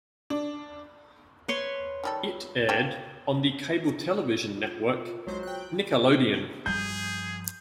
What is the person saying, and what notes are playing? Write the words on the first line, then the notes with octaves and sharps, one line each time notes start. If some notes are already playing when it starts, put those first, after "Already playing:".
It aired on the cable television network Nickelodeon.
D4
B4 C#5 C6
D#3 G3 A4
A#3 D4 G4
F4
B1 F#3 G#3 C5
G5 F#6
G2 F3 G#4 G6